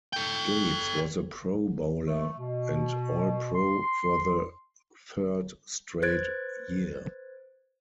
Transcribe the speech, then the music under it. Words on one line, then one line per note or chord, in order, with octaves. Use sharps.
Gates was a Pro Bowler and All-Pro for the third straight year.
A4 G5
A3
B2
C6
B4 C5 F#6 G#6 A6 D7